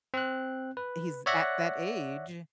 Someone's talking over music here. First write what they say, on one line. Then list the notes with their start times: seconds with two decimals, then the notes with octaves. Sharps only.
he's at that age,
0.14 C4 F#6
0.77 B4
1.26 C#5 D5 E5 F#5 F#6 A#6